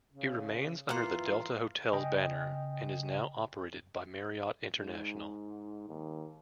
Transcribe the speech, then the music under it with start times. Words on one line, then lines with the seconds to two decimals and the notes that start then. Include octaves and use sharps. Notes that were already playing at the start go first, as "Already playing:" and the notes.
It remains under the Delta Hotels banner and is now operated by Marriott International.
0.12 C#3
0.89 E3 A#3 F4 F#5 A#5 C6 C7
1.93 C#3 D#5 G5 G#5
4.78 G#2
5.89 D#2